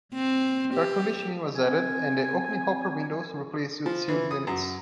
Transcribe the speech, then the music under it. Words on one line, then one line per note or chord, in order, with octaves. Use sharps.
Air conditioning was added and the opening hopper windows replaced with sealed units.
C4
G4
C4 G#5
F3
E3
D#6
F#2